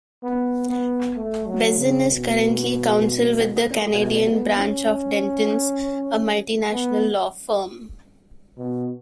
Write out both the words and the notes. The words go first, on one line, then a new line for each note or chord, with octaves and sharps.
Bazin is currently counsel with the Canadian branch of Dentons, a multinational law firm.
B3
B3
A3
F#3
C#3
B2
B2
B3
C#4
B3
B2